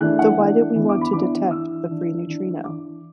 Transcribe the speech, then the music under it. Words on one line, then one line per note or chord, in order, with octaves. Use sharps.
So why did we want to detect the free neutrino?
E3 A3 D4 F#6
F#5
E3 A3 D4
E3 B3 D4
D6
B5
E3 B3 D4 D6
E3 D4 E6
E3 D4
E3 D4
E3 D4 D6